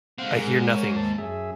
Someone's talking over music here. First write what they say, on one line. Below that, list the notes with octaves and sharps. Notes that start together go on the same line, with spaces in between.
I hear nothing!
G#3 C4 C5 F5 F#5
G#2 G#4 A#4 F#5
A#4 C#5
D#2 A5
F#2 G#4 E5